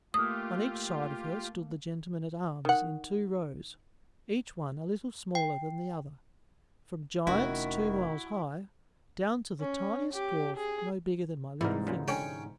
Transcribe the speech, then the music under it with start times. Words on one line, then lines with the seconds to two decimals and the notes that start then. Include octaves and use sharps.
On each side of her stood the gentlemen-at-arms in two rows, each one a little smaller than the other, from giants two miles high, down to the tiniest dwarf no bigger than my little finger.
0.14 A3 A#3 F4 G4 D#6
2.65 D#3 F#5
5.35 G5
7.27 F1 D#3 C#4 E4 F#4
9.60 C#4
10.13 G4
10.57 G#4
11.61 G#2 C3 E3 E4 A#4
11.87 C#2 A#2 C#3
12.08 D3 C#4 C#5 G5